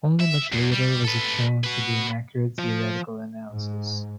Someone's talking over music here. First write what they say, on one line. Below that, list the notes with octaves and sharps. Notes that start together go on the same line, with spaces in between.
Only much later was it shown to be an accurate theoretical analysis.
E5
E2
G3
A4 B4
F#4 B4
F3
G#2